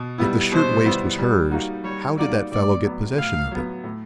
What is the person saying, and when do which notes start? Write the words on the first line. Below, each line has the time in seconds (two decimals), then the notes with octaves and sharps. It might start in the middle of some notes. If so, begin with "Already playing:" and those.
If the shirtwaist was hers, how did that fellow get possession of it?
Already playing: B2
0.18 G3 B3 E4
0.51 B2 C5
0.85 G3 B3 E4
1.18 G3
1.51 A#3 D#4 F#4
1.84 G3 C#5
2.18 A#3 D#4 F#4 D5
2.52 A2 D5
2.84 F#3 B3
3.17 A2 F5
3.51 F#3 B3
3.84 A2